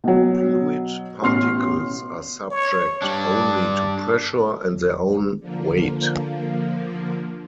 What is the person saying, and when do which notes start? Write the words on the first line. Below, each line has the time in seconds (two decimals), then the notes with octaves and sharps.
Fluid particles are subject only to pressure and their own weight.
0.04 B2 F#3
1.22 A1 B2 C6 F6 C7
2.51 C#5
3.02 G2 G3 D4 D5
5.40 D3 F3 A#3